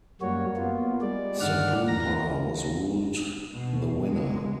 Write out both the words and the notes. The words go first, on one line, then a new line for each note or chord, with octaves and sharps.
Sapulpa was ruled the winner.
F#2 G3 A#3 F#4 C#5
A#3 B3 F4
G3 G#3 D5
G2 D3 D#3 D5 F#5 F6
E2 A#5 A#6
B2
G#3